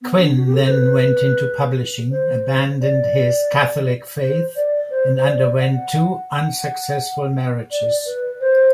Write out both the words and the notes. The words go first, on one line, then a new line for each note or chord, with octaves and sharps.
Quinn then went into publishing, abandoned his Catholic faith, and underwent two unsuccessful marriages.
B3
D4
F#4
G4
A4
C5
B4
C5
D5
C5
D5
C5
C5
D5
F#5
F#5
D5
B4
C5